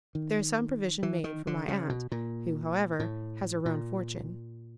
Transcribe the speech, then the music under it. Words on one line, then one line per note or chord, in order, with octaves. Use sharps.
There is some provision made for my aunt, who, however, has her own fortune.
D#3
E3
D#3
D3
C#3
B2
A#2
A2
A#2